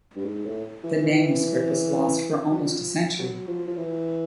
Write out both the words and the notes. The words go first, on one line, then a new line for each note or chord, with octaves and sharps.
The manuscript was lost for almost a century.
G2
G#2
A2
E3
F#3
F3
F#3
F3
F3
E3